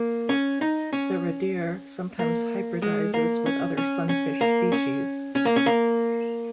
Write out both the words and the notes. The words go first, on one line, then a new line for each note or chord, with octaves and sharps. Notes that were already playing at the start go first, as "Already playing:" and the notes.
The redear sometimes hybridizes with other sunfish species.
Already playing: A#3
C#4
D#4
C#4
A#3
G#3
A#3
C#4
C#4
C#4
A#3
C#4
C#4
A#3
C#4
A#3